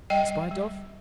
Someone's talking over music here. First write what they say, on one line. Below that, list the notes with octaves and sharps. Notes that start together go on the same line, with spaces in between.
In spite of?
G3 D#5 G5
G3